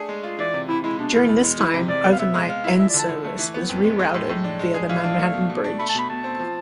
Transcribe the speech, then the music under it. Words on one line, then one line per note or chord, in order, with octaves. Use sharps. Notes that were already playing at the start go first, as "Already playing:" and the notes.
During this time, overnight N service was rerouted via the Manhattan Bridge.
Already playing: A3 D4 G#4
G#3
F4
E3 D5
C3
C3 E4
G#3 E4
B2 D4
E2 E4
E2 E4
G#3
E3 E4
C3
C3 D5
B3
F5
B3 E5
G#3
G#3 F5
E4
F3 E5
D5
D3 A5
D3
A3
E3
B3
F2
G#3
G#3
A2
A2
D4
G#3
G#4
E3 F5
D4
A3
B2
B2
D4
A3 B5
A5
B2 B5
B2 A5
C4
F3